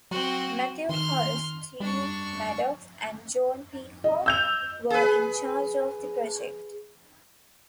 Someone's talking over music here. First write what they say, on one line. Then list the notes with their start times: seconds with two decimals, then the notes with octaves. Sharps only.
Matthew Colless, Steve Maddox and John Peacock were in charge of the project.
0.11 F#3 C4 F#4
0.89 D#3 C6 F6
1.80 G3 D4 C#6
4.04 D#5
4.26 E6 G6 F7
4.90 G#4 B4